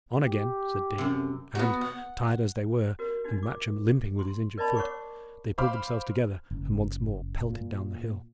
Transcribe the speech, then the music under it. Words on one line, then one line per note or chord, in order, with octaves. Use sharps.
"On again," said Dick; and, tired as they were, and Matcham limping with his injured foot, they pulled themselves together, and once more pelted down the hill.
G4
F#2 C3
B3 F#4
F#5
F#4 A#4
D4 D#4 F#4
D6
C6
A#4 D5 D#5 A5 B5 C6
C#5 F#5 C#6 D6
C5 F5 B5 D6 F6
F#1
A#2